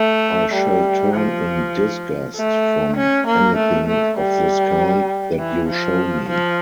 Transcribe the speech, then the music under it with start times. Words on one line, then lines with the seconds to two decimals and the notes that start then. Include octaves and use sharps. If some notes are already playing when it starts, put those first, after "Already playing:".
I shall turn in disgust from anything of this kind that you show me.
Already playing: A3
0.54 G3
1.15 F3
2.36 A3
2.96 C#4
3.26 A#3
3.56 A3
3.86 A3
4.17 G3
5.38 E3
5.68 F3
6.28 F3